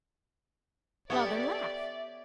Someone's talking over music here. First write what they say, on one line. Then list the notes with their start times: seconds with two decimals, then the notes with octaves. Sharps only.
"Well, then, laugh."
1.10 B3 G4 A4 C#5 D5 E5